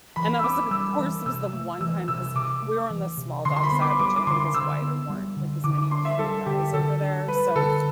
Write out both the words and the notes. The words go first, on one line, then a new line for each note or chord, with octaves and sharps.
and I was like, "Of course, it was the one time" 'Cause we were on the small dog side, which I think is why there weren't, like, as many cute guys over there, so,
E3 B5
E6
C4 D6
G3 E6
E3
C3 E6
A3
E3 E6
C3 E6
C3 D6
A3
E3
C3
D3 C6
C6
B5
B3
D6
G3 D6
D6
D3 C6
D3 E6
B3
G3
D3
D3 D6
D6
D4 C6
E5
G3 A4
D3 G4
D3 A4
D4
G3 B4
D3 A4